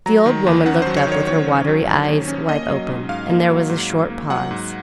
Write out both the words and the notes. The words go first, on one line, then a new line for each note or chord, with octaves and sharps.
The old woman looked up, with her watery eyes wide open, and there was a short pause.
F#3 A#5
D#3
D#2
C#4 F#5
F#3 C5
C#5
D#3 C#5
D#2 C#5
C#4
F#3
D#3
D#2
C#4
A#3 D#5
F#3
G#2
G#2 F5
A#3
F#3
G#2
G#2
A#3
F#3 F#5
G#2